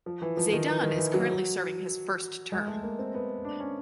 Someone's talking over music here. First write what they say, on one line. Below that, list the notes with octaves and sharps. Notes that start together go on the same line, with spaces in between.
Zeydan is currently serving his first term.
F3
E3
F3
D#3
E3
D#3
E3
F#3
G#3
A3
A#3
C4
B3
D4
C#4